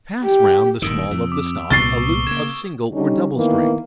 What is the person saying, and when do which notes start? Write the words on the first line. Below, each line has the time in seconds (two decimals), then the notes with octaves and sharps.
Pass round the small of the stock a loop of single or double string.
0.22 G4
0.82 D#1 G2 D#3 D#6 E6 D7
1.11 F2
1.32 D6
1.71 C2 A#2 B3 C#6 A6 C7 G7
2.27 C#3 A#3 G#6 E7 G7
2.92 D3 G3 C#4 D#4
3.34 D#3 E3 A#3 B3